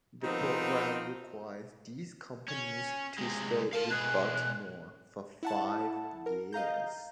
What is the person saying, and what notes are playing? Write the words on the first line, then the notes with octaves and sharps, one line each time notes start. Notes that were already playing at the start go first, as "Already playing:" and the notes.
The program requires these companies to stay in Baltimore for five years.
D#3 F3 B3 C4 D#4 A#4
C#4
C3 G#3
A#4 F5 A5
B2 G#4 F#6
E4 F#5 A5
A#4
D#5 F5 A#5 G6